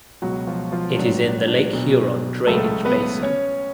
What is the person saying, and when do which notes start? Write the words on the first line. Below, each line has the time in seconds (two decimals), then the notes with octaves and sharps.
It is in the Lake Huron drainage basin.
0.22 C#2 B2 F#3 F#4
0.47 F3 F4
0.72 F3 F4
0.96 A1 G#2 F#3 D4
1.23 D4
1.48 D4
1.73 B1 B2 F#3
2.47 C#2 C#3 F#3 A3 A4
2.85 B3 B4
3.22 C#4 C#5